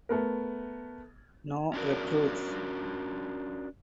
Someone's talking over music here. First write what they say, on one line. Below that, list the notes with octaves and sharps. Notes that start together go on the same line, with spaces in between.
No recruits.
A3 B3 A#4
C#4 D4 F#4 A#4